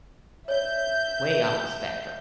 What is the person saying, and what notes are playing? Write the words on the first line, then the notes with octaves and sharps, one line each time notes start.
way off the spectrum.
C#5 D5 E5 G6